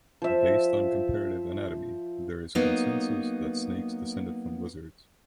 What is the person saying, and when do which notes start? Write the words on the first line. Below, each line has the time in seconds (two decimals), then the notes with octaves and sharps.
Based on comparative anatomy, there is consensus that snakes descended from lizards.
0.22 F3 E5
2.55 F#3 A#3 B3 D#4